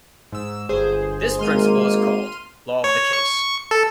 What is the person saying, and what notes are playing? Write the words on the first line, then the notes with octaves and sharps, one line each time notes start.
This principle is called law of the case.
G#2 E6
G1 G#4 C5
G#1 G#3 A#3 C6 F6 D#7
C#5
C#6
A4